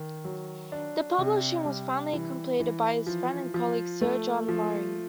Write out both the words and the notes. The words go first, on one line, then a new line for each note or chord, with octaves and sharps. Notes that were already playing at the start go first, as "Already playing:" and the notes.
The publishing was finally completed by his friend and colleague Sir John Murray.
Already playing: D#3
F#3
D4
C3
G3
E3
E3
F3
F3
A3
F3